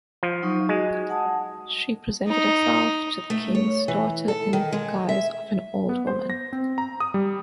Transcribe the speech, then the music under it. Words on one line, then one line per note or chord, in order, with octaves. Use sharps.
She presented herself to the king's daughters in the guise of an old woman.
F3
F#3 D#4 C#6
G#3 F#4
F#5 A5 D#6
D#4
A3
C#5
E3
A4
D#3
G#3
E5
B3
C5
A#6
C4
A#5
D#6
G3